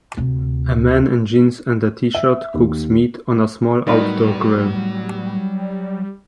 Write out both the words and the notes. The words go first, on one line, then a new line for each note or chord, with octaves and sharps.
A man in jeans and a tshirt cooks meat on a small outdoor grill.
D2 C3
E5
D#2
A2 F#3 G3 B3 D#4 A#4 B4 D5